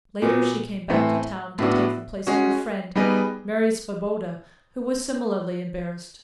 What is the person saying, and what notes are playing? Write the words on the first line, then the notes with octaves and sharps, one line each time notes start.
Later she came back to town to take the place of her friend, Mary Svoboda, who was similarly embarrassed.
A#2 F#3 B3
A2 E3 A3 C4
A2 F#3 B3 D4 F#4
G#3 C#4 F#4
G3 B3 D#4 G#4 B4